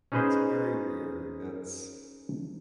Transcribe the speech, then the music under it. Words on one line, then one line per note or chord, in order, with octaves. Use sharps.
it's very weird, it's
C#4 D#4 G#4 B4 C5 D#5